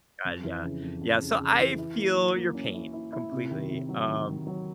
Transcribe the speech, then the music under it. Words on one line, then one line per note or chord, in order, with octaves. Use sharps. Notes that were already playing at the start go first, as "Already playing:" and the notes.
God yeah. Yeah, so, I feel your pain completely, um,
F2
E3
C#3
F2
F2
C#3
C#3
E3
E4
A#3
F#3
A#3
C#4
E4
E4
E4
C3
D#3
C3
F#3
D#3
D#3
F#3